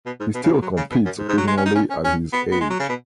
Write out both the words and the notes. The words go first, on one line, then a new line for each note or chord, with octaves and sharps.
He still competes occasionally at his age.
B2
G#2
B2
C#3
D#3
F#3
C#3
B2
F#2
G#2
G#2
F#3
G#3
C#4
D#4
C#4
C#4
C#4
B3
B3
G#3
F#3
C#3
B2